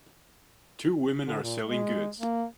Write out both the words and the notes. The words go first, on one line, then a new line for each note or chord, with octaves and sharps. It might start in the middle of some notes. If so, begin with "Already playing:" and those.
Two women are selling goods.
D3
A#2
G#3
A#3